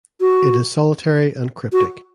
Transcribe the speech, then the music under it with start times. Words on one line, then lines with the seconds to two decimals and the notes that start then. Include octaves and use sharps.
It is solitary and cryptic.
0.21 F#4
1.73 F#4